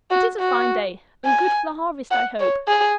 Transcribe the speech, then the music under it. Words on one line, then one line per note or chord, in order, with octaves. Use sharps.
It is a fine day, and good for the harvest, I hope.
F#4
F#4
G#5
F#5
C#5
G#4